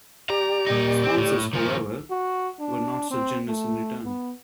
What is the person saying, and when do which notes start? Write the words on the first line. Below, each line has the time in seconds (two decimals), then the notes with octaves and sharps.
The sponsors however, were not so generous in return.
0.30 G4 D5 A#5
0.67 A#2 D#4
1.03 C4
1.17 A2
1.53 D#3 F3
2.10 F#4
2.60 D4
3.11 C4
3.47 A3
4.05 B3